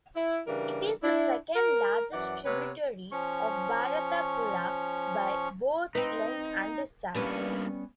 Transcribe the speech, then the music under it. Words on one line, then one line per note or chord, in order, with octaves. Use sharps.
It is the second largest tributary of Bharathapuzha, by both length and discharge.
E4
C#3 E3 G3 D4 A#4
D4 E4
A#4
F#2 E3 D5 F#5
C3 B3 B4 C#5
F3 C#4 C#6
C4 D#4 B4
G2 G3 A#3 B3 C#4